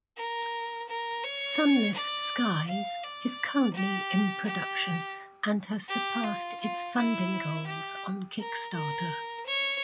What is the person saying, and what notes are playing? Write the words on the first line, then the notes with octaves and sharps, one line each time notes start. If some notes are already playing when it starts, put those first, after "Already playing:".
"Sunless Skies" is currently in production and has surpassed its funding goals on Kickstarter.
A#4
A#4
C#5
D5
F5
D5
G4
G4
G4
F4
F4
E4
G4
A#4
A#4
C#5